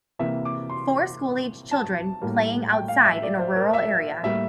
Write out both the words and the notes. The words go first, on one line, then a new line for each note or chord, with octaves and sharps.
Four school aged children playing outside in a rural area.
C3 E3 A#3 E5
D6
C6
A5
A2 G3 A#3
G5
F5
E5
D5
C5
A#4
E5
A2 G3 A#3 E5